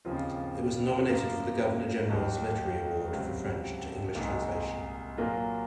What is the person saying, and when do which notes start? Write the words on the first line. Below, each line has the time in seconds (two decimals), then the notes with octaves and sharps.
It was nominated for the Governor General's Literary Award for French to English translation.
0.05 D#2 C#3 F3 C4 F4
1.07 F#2 F3 A#3 F4
2.10 D#2 D#3 F#3
3.12 C#2 C3 F#3 C4
4.15 C2 A#2 G#3 D#4
5.17 A#2 F#3 A#3 F4